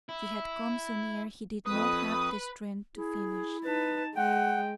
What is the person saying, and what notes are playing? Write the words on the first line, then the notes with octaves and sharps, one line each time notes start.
She had come so near he did not have the strength to finish.
E4
F2 B4 D#6
E4 G#4
D#4 B4 A5
G#3 F#5 G5